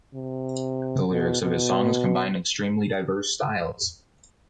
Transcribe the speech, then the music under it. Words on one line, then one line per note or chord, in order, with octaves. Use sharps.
The lyrics of his songs combine extremely diverse styles.
C3
B2
B2